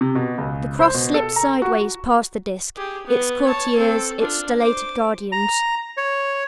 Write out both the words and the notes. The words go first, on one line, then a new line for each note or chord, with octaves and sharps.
The Cross slipped sidewise past the Disk, its courtiers, its stellated guardians.
C3
B2
C#2
C5
B2
A4
A#5
F#4
G4 G#4
B3
C#5 A5
C4 A4
D4 F4
C5 D6
A#5
C#5